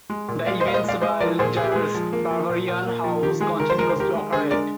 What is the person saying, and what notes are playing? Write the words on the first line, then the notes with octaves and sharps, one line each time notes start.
The Evansville Gerst Bavarian Haus continues to operate.
G#3
A#2
G#3 D5 F5
C5 D#5
A#2 F5
C5 D#5
G#3 D5 F5
G#3 C5 D#5
F3 A#4 D5
A#2 G#4 C5
A#2 G#4
G4
G#3 G#4
F3
A#3
F3
A#2
A#2
A#3
F3
D#3 G4
G#3 G#4
D#3 A#4
C5
G#3 A#4
C5
D#3 G4 A#4
G#3
D3 G#4 C5
G#3 A#4 D5